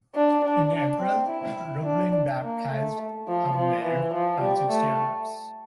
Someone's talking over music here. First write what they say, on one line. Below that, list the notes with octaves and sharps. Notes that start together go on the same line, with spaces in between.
In April Reublin baptized Hubmaier and sixty others.
D4
D4
D4
C4
E4
D4
A#3
A3
F3
F3
E3
F3
G3
A3